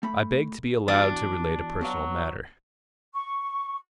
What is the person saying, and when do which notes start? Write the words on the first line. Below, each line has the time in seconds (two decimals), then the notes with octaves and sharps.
I beg to be allowed to relate a personal matter.
0.03 A3 B5
0.88 E2 D4 F#4
1.81 F#3 B3 F#4 F5
3.15 C#6